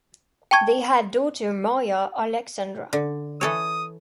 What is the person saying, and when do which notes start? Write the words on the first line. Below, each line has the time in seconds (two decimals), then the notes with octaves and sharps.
They had daughter Maria-Alexandra.
0.51 G5 A5 C#6 G#6
2.93 D3
3.41 E3 A4 C#5 D#6